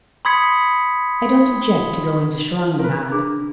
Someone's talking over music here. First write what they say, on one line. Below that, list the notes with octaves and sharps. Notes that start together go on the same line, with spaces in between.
I don't object to going to Schlangenbad.
B5 C6 D#6 G#6 B6 C#7
A#4 B4
D4 G#4